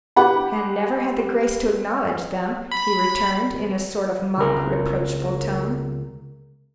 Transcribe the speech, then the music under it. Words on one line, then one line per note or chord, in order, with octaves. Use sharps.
"And never had the grace to acknowledge them," he returned, in a sort of mock reproachful tone.
G4 F#5 B5
B5
C#2 A#4